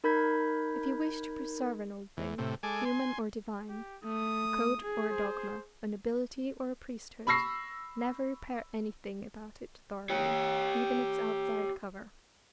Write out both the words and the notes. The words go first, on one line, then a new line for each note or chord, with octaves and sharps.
If you wish to preserve an old thing, human or divine, a code or a dogma, a nobility or a priesthood, never repair anything about it thoroughly, even its outside cover.
D#4 A#4 B5 G6 G#6 B6
E2
A2 C3
G#3 A4 G#5 D6
G#5 C6
G4
A3 D#6
G#4
C5
B5 C#6 E6 A#6 C7
G4 C#5